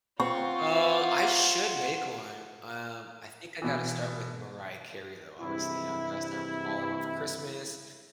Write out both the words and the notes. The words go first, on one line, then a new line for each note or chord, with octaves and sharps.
Uh, I should make one. Um, I think I gotta start with Mariah Carey, though, obviously, you know, gotta start with All I Want for Christmas,
C4 F4 F#5 C#6
B2 E3
G2 C3 E3 G#3 C4 E4